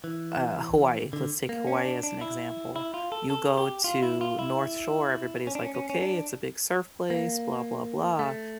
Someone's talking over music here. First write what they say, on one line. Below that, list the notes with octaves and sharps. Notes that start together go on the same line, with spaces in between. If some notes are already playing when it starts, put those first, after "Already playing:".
uh, Hawaii, let's take Hawaii as an example. You go to North Shore, everybody's like, "Okay. It's a big surf place, blah, blah, blah."
E3
D3
A#3
C#4
D4
D4
E4
E4
F4
A4
A4
G4
F4
E4
F4
E4
C#4
D4
C#4
C#4
C#4
D4
A#3
A3